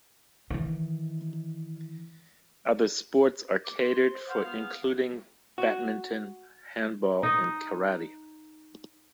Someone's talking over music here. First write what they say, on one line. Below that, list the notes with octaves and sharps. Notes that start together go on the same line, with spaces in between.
Other sports are catered for including Badmintion, Handball and Karate.
D#3 E3
D6
C6
C5
C5 F5 F#5
B3 F4 F5 F6
G#4
F#4
D#4 D#5